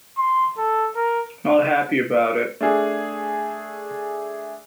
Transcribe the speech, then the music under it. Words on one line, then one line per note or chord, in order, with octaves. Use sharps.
Not happy about it.
C6
A4
A#4
A3 D4 G#4